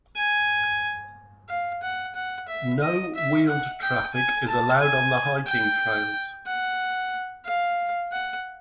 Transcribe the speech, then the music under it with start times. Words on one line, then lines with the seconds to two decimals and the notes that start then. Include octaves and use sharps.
No wheeled traffic is allowed on the hiking trails.
0.17 G#5
1.49 F5
1.83 F#5
2.15 F#5
2.48 E5
2.82 D#5
3.15 E5
3.48 F#5
3.82 G5
4.15 G#5
4.48 A5
4.80 G#5
5.47 G5
6.47 F#5
7.46 F5
8.12 F#5